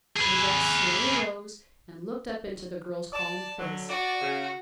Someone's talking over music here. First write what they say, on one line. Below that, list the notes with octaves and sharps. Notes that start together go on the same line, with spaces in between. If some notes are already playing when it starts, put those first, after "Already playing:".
Ajax slowly rose and looked up into the girl's calm face.
G#4 B4
D5 A5
D3 F#3
F#4 D5
C#3